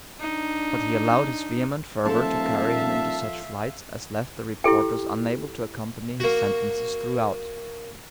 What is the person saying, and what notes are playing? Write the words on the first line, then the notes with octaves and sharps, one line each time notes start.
But he allowed his vehement fervor to carry him into such flights as left the reporters unable to accompany his sentences throughout.
D4 D#4
D#1 F3 A4 E5 F5 A5
E4 G4 A4 G5
A#3 F#4